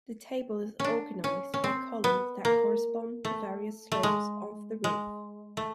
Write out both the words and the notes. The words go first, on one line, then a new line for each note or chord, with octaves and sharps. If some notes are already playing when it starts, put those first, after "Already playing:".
The table is organized by columns that correspond to various slopes of the roof.
C#4 D4
C#4
C#4
C4
B3
A#3
A3
A3
G#3
G#3
A3